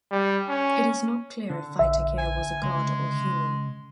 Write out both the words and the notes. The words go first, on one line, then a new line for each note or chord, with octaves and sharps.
It is not clear if Vaitakere was a god or human.
G3
C#4
D3
A#1 E5
G#5
C#3 G#3